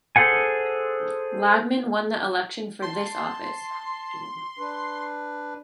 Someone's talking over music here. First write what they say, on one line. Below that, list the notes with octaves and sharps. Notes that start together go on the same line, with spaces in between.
Lagman won the election for this office.
G#4 A4 C5 F#5 G#5
A5 C6
D4 B4